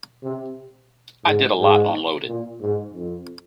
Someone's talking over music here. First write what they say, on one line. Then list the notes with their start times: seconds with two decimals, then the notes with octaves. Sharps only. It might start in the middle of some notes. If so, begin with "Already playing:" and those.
I did a lot on "Loaded".
0.23 C3
1.25 G#2
1.59 G#2
2.26 A#2
2.60 G#2
2.94 F2